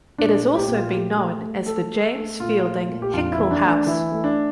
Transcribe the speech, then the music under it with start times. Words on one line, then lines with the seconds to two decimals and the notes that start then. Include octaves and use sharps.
It has also been known as the James Fielding Hinkle House.
0.18 A#2 D4
0.43 A3
0.55 G4
0.68 A#2
0.74 F4
0.93 A3 G4
1.17 A3
1.42 A3
1.66 A3 A4
1.91 A3
2.16 A3
2.40 A#2 F4
2.64 A3
2.89 A#2
3.02 G4
3.13 F2 F4
3.32 E4
3.38 E3
3.51 D4
3.62 A3
3.68 D4
3.87 E3 E4
4.12 A3
4.24 D4